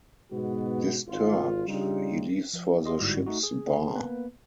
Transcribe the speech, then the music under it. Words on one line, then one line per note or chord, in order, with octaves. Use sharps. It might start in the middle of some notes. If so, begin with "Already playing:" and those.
Disturbed, he leaves for the ship's bar.
G#2 B2 G#3 B3 F#4
G#1 F4
C#3 G3 D4 D#4 F4 G4
F3
G4 D#5 C6
G1 G#2 G3 E4 F#4
A3 D#4 F#4
G#4
A#3 B3 B4